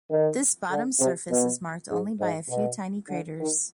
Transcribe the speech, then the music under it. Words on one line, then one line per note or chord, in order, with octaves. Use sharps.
This bottom surface is marked only by a few tiny craters.
D#3
D3
C3
B2
G#2
G#2
B2
D3
D#3